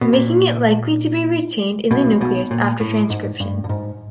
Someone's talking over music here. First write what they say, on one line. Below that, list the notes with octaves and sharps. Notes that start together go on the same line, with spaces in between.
Making it likely to be retained in the nucleus after transcription.
B2
A#2
B1 B2
B1 B2
A#2
A2
G#2
G2
G2
G#2